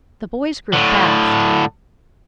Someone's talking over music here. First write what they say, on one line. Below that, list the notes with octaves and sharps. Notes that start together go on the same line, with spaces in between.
The boys grew fast.
A2 D3